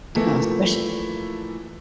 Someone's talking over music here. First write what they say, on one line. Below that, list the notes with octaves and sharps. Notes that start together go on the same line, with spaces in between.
uh, especi
E3 F3 A3 A#3 E4